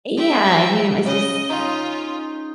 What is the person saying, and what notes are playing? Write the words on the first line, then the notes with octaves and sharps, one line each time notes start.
Yeah, I mean, it was just
E5 G5
C#3 D#5
C#4 D#4 F4